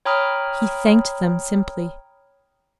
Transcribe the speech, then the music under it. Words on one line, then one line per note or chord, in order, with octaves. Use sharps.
He thanked them simply.
C#5 G5 A#5 B5 D#6 F6